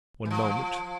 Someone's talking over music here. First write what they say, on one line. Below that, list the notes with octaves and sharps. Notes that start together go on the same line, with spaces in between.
One moment.
E3
F3